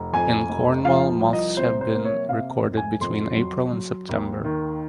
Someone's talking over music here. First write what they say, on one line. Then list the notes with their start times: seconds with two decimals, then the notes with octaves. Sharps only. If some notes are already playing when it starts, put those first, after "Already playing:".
In Cornwall moths have been recorded between April and September.
Already playing: F1
0.13 F2 G#5
0.49 F1
0.85 F3 F5
1.21 C2
1.33 D#5
1.57 C3 C5
1.81 C5
1.94 A#3
2.05 C#5
2.29 C3 F5
2.64 F1
2.77 G#5
3.00 F2 C6
3.37 F#3
3.73 F#3
4.09 D#2
4.44 D#3